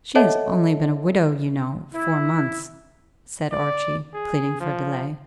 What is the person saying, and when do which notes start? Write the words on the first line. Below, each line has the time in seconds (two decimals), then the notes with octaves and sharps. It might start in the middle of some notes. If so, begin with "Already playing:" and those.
"She has only been a widow, you know, four months," said Archie, pleading for delay.
0.16 A4 C#5 D#5 E5 F#5 A5
1.94 E4
3.51 D5
4.13 G#4
4.60 F3